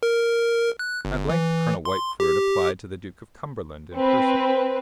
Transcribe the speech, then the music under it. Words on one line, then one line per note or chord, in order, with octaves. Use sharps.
At length Colonel Whitefoord applied to the Duke of Cumberland in person.
A#4
F#6
G1
E3
C6
G4
C4 B4